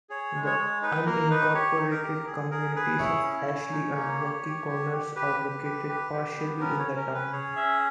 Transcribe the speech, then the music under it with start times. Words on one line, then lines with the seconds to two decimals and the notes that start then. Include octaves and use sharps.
The unincorporated communities of Ashley and Rocky Corners are located partially in the town.
0.10 G#4 C#5
0.35 G#3
0.46 C#5
0.59 G#3
0.82 D#4 B4
1.06 A#3 A#4
1.30 D#4 B4
1.54 G4 C#5
1.79 D#4
1.91 A#4
2.03 G4
2.27 G#4
2.51 G#4 A#4
2.76 G#4 B4
2.99 E4 C#5
3.23 C#4
3.47 C#4
3.71 D#4
3.95 A#3
4.20 G4
4.44 G4
4.68 G4
4.92 G4
5.16 G4 B4
5.40 G4
5.64 G4
5.89 G4
6.12 G4
6.37 B3
6.60 C#4 A#4
6.79 C#5
6.84 C#4
6.97 A#4
7.08 C#4
7.14 B4
7.33 G#4 C#5
7.56 C#4 E5